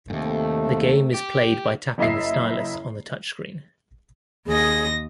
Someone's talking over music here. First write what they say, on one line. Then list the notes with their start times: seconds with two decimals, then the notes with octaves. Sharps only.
The game is played by tapping the stylus on the touch screen.
0.10 D#2 G#2 C3 A3
1.14 G4
1.98 F#1 E4 D#5 E5 C7
4.46 D#2 G#4 D#5 A#6